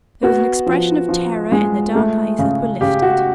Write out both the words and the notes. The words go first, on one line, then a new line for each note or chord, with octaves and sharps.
There was an expression of terror in the dark eyes that were lifted.
B3 F#4
F3
F3
G#3
A3
C#3
C#3 G4
F#4